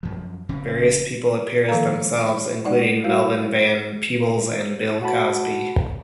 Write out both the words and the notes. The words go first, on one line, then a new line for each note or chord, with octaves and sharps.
Various people appear as themselves, including Melvin Van Peebles and Bill Cosby.
F#2 F3
F1 C#3 C4 C#4
D#3 F3 A#3 A4 F5 A#5
G#3 D#4 D5 F#5
G3 F#4 A#4 F5
F#4 F#5 A5 B5